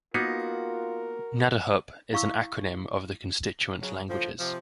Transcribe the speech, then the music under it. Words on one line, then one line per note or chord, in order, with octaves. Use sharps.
"Nadahup" is an acronym of the constituent languages.
A#3 B3 D#4 F4 F#4 A#4
E4 F5 C#6 D6 E6
C#3 F#3
A2 D3 F3
C3 F3